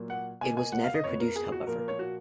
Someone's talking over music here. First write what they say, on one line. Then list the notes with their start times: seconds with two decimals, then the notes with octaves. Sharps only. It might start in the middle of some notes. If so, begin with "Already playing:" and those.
It was never produced however.
Already playing: A#2 F#3 A#3
0.10 F#5
0.41 B2 A#3 G#5
0.57 G#5
0.72 F#5
0.84 F5
0.94 D#5
1.04 F2 F3 B3 C#5
1.20 A#4
1.36 G#4
1.52 F#4
1.67 A#2 F3 A#3 A#4
1.78 A#4
1.88 C#5
1.99 F#4